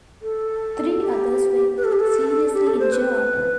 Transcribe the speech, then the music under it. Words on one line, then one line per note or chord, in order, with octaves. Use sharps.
Three others were seriously injured.
A4
G4
B4
A4
G4
A4
G4
A4
C5
B4